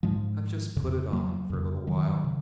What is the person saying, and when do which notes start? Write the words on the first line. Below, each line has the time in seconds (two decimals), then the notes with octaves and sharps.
I've just put it on for a little while.
0.03 G#2 F3 G#3
0.76 F2 C#3
1.13 F#3 A#3
1.50 F2 C#3
1.87 D#3 F#3
2.24 C#3